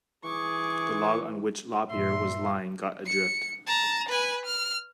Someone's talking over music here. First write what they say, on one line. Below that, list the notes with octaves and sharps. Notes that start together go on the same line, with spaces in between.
The log on which Lop-Ear was lying got adrift.
E3 G#4 C#6 D6
G2 A#2 E3 E5 C6
C#7
A5 A#5
B4 G#5
F6